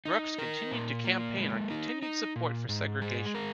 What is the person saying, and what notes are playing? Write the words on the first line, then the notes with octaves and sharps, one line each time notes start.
Brooks continued to campaign on continued support for segregation.
D#4
A#4
A#2
A#3
G#3
D#4
D#4
A#2
G#2
G#3
A#4